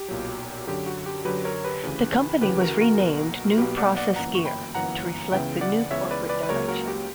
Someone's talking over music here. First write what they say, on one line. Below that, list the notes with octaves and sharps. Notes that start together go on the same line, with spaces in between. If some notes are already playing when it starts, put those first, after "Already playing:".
The company was renamed New Process Gear to reflect the new corporate direction.
Already playing: G4
B1 A#2 F#3
F#2 D3 F#3 G4
F#4
G4
F#2 D3 F#3 G4 B4
A#4 C#5
G4 B4
D2 C#3 E3
D2 C#3 E3 G4 B4
F#4 A#4
F#4 A#4
B1 B2 A#3
B1 B2 A#3 G4 B4
D5 F#5
D5 F#5
G1 F#2 E3 A#3 F#5 A#5
C#6
G5 B5
G1 F#2 E3 A#3 F#5 A#5
C#2 C#3 E3 B3 E5 G5
D5 F#5
C#2 C#3 E3 B3 C#5 E5
B4 D5
B4 D5
B4
C#2 C#3 F#3 A#3 A#4 C#5
F#4 A#4
G4